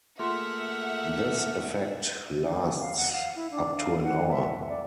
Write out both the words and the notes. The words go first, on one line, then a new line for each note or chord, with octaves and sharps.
This effect lasts up to an hour.
A3 A#3 F4 G#4 E5 F#5 C6 F6
F5
F#5
F5
E4
D4
F5
F#5
E5
D5